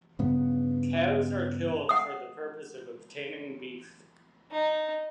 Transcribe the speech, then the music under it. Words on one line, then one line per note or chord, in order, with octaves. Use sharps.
Cows are killed for the purpose of obtaining beef.
G2 C#3 B3
F#5 D#6
D#4